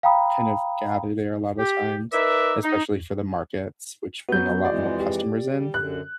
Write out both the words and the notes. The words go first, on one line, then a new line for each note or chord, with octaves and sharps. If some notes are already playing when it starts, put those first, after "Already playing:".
kind of gather there a lot of times, especially for the markets, which bring a lot more customers in,
F5 G5 A#5 B5 D#6
G4
D#4 A#4 B4 D5 E5
D#4
F#3 B3 F#4 G6
F2 E3 G#3 D5
G4
G3
F#2 D3 F#6